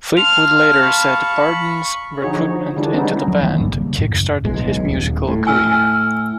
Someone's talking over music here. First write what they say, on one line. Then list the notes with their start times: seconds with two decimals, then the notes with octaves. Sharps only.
Fleetwood later said Barden's recruitment into the band kick-started his musical career.
0.17 F5 A5 C6 F6 F7
0.82 B5 C#6
2.22 D3 F3 D#4 F#4 G#4 C#5
2.38 F3
2.76 D3 E3 G3 G#3 D4
2.93 G#3 B3 C#4 D#4 E4
3.28 F#3
3.43 D#3 E3 A#3 C4
3.59 G#1 G#2 G3 A#3
3.74 C#3
3.98 F#2 A2
4.44 D1 B1 G#3
4.85 D#1
5.28 A2
5.47 G#5 E6 F6